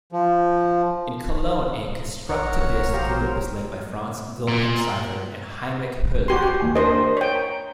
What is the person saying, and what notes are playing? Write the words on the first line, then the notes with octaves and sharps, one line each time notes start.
In Cologne, a constructivist group was led by Franz Wilhelm Seiwert and Heinrich Hoerle.
F3
A1 A#4 C#5 F#5 A#5
F#3 G4 A#4 C5 F5 A#5
A#2
F#4 G4 C6
G4
D#2 G#5
D4 A#4 C5 D#5
C#5 G5
A#5